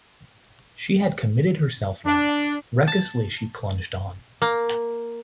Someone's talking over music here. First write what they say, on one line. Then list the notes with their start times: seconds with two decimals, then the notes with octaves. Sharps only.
She had committed herself now; recklessly she plunged on.
2.06 D4
2.87 A5
4.42 A#3